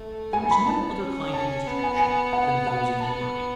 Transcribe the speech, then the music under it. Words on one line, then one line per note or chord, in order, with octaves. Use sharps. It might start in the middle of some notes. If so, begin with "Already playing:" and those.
There is no other kind of distribution than those enumerated.
Already playing: A3
B3 G#5
B5
A5
C#4
A5
B3
G#5
G#5
F#5
F#5
B3 A5